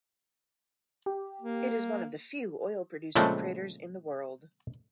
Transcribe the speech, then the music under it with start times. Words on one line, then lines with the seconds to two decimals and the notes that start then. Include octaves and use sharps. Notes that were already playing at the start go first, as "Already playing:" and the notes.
It is one of the few oil-producing craters in the world.
1.06 G4
1.41 A#3
3.16 A#2 C#3 F3 G#3 A3 C4